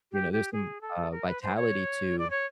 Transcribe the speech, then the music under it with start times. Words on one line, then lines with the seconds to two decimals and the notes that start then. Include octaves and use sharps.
you know, there's some, uh, vitality to
0.12 G4
0.32 G4
0.52 G#4
0.81 A4
1.11 A#4
1.26 B4
1.42 C5
1.56 C#5
2.19 D5
2.30 C#5